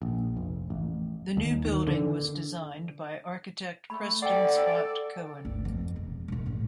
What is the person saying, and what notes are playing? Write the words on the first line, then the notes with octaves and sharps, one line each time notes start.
The new building was designed by architect Preston Scott Cohen.
A#1
F1
A1
D#2
D#3
D3
A3 B5
A4 D5 F#5 G5
G1 D2
F2
E1
E1 F#2
A#1 A2